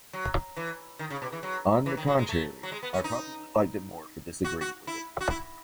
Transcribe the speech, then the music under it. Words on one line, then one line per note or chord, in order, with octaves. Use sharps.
On the contrary, I probably liked it more for disagreeing with it.
F#3
E3
D#3
C#3
B2
E3
F#3
E3
D#3
F#3
G#3
A3
F#3
G#3
B3
C#4
D#4
F#4
F#4
E4
F#4
E4